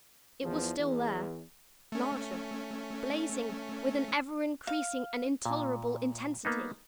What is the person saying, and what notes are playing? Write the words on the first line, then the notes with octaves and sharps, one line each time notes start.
It was still there, larger--blazing with an ever increasing and intolerable intensity.
E2 F3
E2
A3 C#4
F5
A#2
A#3 B3 D#4